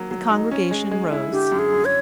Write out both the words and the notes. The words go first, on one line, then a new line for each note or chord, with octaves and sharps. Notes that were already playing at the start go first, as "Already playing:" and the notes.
The congregation rose.
Already playing: F#3 A#3
F#3
D#4
C#4
G#3
G#3
E4
D3 G4
F#2
G#4
F#2
C#5